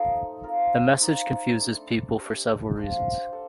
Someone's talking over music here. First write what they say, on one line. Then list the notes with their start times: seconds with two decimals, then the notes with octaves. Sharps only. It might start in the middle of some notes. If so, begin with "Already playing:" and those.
The message confuses people for several reasons.
Already playing: F3 A3 D#4 A4
0.43 C4 F4 A#4
1.01 D#4 A#4 D5 F5
1.60 A3 D4 A4
2.17 G3 D4 G4
2.75 D4 G4 C5 F5
3.33 D4 A4